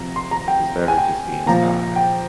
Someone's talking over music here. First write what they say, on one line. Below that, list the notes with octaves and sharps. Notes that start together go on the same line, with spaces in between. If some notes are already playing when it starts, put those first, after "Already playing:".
Yeah, I think it's better just being inside.
Already playing: C3 F3 A#5
C6
A#5
G5
G#5
G5
A#2 F3 A#5
G5